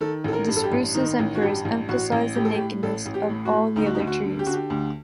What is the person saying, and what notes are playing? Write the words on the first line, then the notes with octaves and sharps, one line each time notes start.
The spruces and firs emphasize the nakedness of all the other trees.
D#3 A4
A1 A4
A#4
G2
A4
G4
A1
D#3 D#4
A1
F#4
G2 G4
A1
A1 F#4
A1
A2 G4
A4
G4
A2
A1 A4
A1
G4
A2
F#4
A2
D2 D#4
F#4
D#4
D2
F#4
D3
G4
D3 F#4
G4
D2